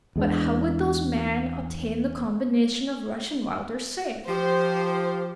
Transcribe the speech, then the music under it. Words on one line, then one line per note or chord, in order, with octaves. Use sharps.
"But how would those men obtain the combination of Rush & Wilder's safe?"
E2 G#3 D4
F3 G4 C5